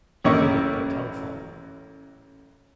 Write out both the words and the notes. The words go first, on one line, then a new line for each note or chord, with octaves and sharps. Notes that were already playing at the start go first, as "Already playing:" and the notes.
He did it by telephone.
A1 F#2 A#3 E4 D#5 C#6